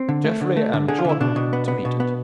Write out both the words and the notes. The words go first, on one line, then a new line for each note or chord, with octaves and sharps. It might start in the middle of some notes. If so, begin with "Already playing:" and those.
Geoffrey and Jordan, to meet it.
Already playing: C4
D3
A3
D3
A3
D3
D3 G#4
F4
D3 E4
B2 D4
B2
B3
B3
B2
B3